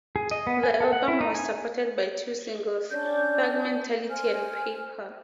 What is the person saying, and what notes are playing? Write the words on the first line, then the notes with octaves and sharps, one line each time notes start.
The album was supported by two singles: "Thug Mentality" and "Paper".
G#4
D#5
B3
G#5
A4
F#5
E4
D#4
G#5
C#4 D4 D5 G6
C5 G#5 F6